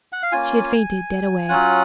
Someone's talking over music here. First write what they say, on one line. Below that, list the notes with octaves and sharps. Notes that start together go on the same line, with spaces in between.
She had fainted dead away.
F#5
F5
A#3 C#4 F4 G#5
F#3 C#4 F4 F#5